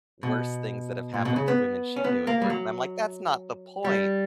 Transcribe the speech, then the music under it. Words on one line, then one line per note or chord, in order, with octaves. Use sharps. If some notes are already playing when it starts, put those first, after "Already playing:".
worse things that have happened to women she knew at work, and I'm like, "That's not the point."
B2
A#2
B2
C#3
B3
C#4
B3
A#3
G3
F#3
G3